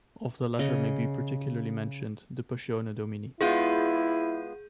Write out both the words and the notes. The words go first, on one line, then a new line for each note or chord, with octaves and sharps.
Of the latter may be particularly mentioned "De passione Domini".
C#3 D#5
G#3 B3 E4 F4 G#4 G6 D#7